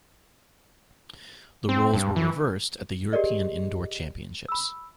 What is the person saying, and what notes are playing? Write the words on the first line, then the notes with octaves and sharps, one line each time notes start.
The roles were reversed at the European Indoor Championships.
C4
G2
E3
G4 G#4 A#4 D5 D#5
B5 E6